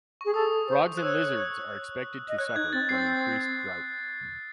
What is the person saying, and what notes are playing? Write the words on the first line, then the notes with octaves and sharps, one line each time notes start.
Frogs and lizards are expected to suffer from increased drought.
G#4 C#6
A4 D#6
C5
F#6
C#5 E6
D#5
C#5 F#6
D#4 G#6
C4 A6
C4 C7
A6
C7